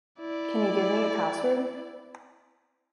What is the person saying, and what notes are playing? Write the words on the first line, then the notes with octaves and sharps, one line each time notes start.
Can you give me your password?
E4 D5